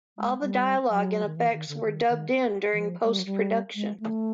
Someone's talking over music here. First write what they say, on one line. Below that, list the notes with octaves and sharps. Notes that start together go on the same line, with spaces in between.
All of the dialogue and effects were dubbed in during post-production.
G#3
G3
F#3
D#3
E3
D#3
D3
D#3
D#3
E3
F3
G#3
G3
F#3
G3
G#3
A3